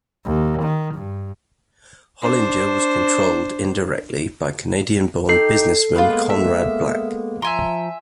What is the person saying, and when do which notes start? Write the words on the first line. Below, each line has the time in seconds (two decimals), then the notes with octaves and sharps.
Hollinger was controlled, indirectly, by Canadian-born businessman Conrad Black.
0.25 D#2
0.62 D#3
0.94 G2
2.22 D4 C5
5.29 D#4 G4 A4 C7
5.95 G#3 A#3 B3 F4 B4
6.30 E5
7.42 F3 E5 G#5 A#5 C6